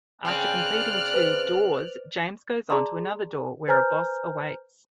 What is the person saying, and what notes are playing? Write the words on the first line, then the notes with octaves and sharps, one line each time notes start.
After completing two "doors", James goes on to another door where a boss awaits.
C#3 C4 D5 F6 F#6
B4 C5
G#4 D5 A5 A#5 C6
B4 C5 G#5 A#5 F6 G6